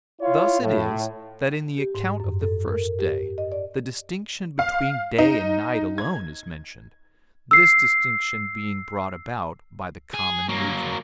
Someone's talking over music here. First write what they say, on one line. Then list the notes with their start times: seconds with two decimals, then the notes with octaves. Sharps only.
Thus it is, that in the account of the first day the distinction between day and night alone is mentioned; this distinction being brought about by the common movement of the heavens.
0.21 E4 F4 C#5 F5
0.61 A2
1.78 G4
1.95 G#2
2.20 F#2
2.41 A4
2.68 A#4
2.99 G4
3.38 D#5
3.52 D5
4.59 F5
5.18 D#4
5.98 G#6
7.51 E6 C7
10.14 G#4
10.49 F#3 A#3